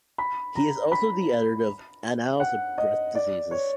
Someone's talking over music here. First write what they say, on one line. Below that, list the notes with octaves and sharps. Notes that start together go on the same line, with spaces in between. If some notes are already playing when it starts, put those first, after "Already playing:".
He is also the Editor of Annals of Breast Diseases.
B5
A#5
B5
F#5
D#5
D5
C#5